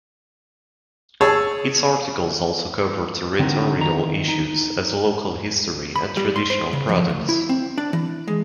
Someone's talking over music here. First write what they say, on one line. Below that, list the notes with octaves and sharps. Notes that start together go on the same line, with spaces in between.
Its articles also cover territorial issues as local history and traditional products.
G#4 C#5 A5 E6
D3 C4 D#4 F#4 A#4
D#3 A#5
D#4
B5
G3
C6
C5
C#3
F3
D2
E4
C4
D4
E3
G#3